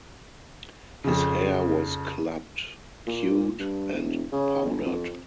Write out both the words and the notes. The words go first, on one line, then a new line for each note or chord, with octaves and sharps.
His hair was clubbed, queued, and powdered.
F2 C#3
A#2
G2
E1
C#3
G1
F2